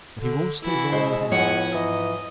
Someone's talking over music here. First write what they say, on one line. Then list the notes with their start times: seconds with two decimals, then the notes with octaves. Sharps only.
But he won't stay long with any of us.
0.19 D3
0.63 E3 E4 F#4
0.92 B2 G#3 C5
1.31 A2 F3 B3 C#5 F#5 G#5
1.74 G#2 E3 D#5